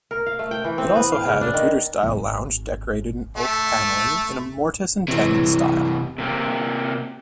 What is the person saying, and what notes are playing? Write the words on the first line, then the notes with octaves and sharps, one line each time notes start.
It also had a Tudor-style lounge decorated in oak paneling in a mortise-and-tenon style.
A#4
F5
A3
G5
E3
C4
B3
F5
C#3
D4
D#3
G#1
A3
C3 E3
C3 A#3 C4